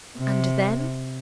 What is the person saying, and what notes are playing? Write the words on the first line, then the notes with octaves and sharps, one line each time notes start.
"And then?"
C3